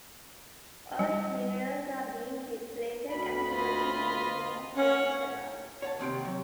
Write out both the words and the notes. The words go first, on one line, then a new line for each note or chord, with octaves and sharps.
Earth's minerals are being depleted and humans need more of them to survive.
G3
D2 B5
F4 D#5
C#4 C#5 F#5
C#5 F#5 A5
D#2 C3 A4 G5
F#3